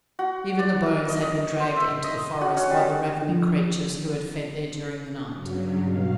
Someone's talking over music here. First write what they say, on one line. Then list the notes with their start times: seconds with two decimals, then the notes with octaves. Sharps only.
Even the bones had been dragged into the forest by the ravening creatures who had fed there during the night.
0.19 F#4
0.59 D5
0.86 A#4
1.10 D#5
1.60 C5
1.76 E5
2.04 D#5
2.41 F#4
2.57 C#4
2.71 G3
3.29 F3
5.33 G2 C#3 F#3
5.79 B2 F5